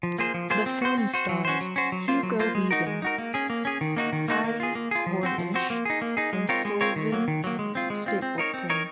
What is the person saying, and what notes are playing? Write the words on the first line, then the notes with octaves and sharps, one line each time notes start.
The film stars Hugo Weaving, Abbie Cornish and Sullivan Stapleton.
F3
A#3 F4 G#4 C5
F3
A#3 F4 G#4 C5
C4
F#4 C5
C4
F#4 C5
F#3
C#4 F#4 C5
F#3
C#4 F#4 C5
F#3
A#3 F4 C5
F#3
A#3 F4 C5
G#3
D#4 F#4 A#4
G#3
D#4 F#4 A#4
A#3
C#4 G#4
A#3
C#4 G#4
D#3
A#3 D#4 F#4
D#3
A#3 D#4 F#4
A#3
F4 G#4
A#3
F4 G#4
F3
C4 F#4 C5
F3
C4 F#4 C5
A#3
D#4 G#4
A#3
D#4 G#4
G#3
C4 F4 A#4 C#5
G#3
C4 F4 A#4 C#5
D#3
F#3 A#3
D#3
F#3 A#3
G#3
C4 F4
G#3
C4 F4
C4
D#4 A#4 C#5
C4
D#4 A#4 C#5